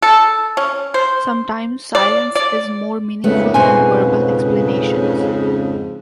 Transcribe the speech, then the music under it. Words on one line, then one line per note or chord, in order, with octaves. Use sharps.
Sometimes silence is more meaningful than verbal explanations.
A4
C#4
C5
D5
D5
F2 G#2 C#3 A3 B3
B2 C5 G#5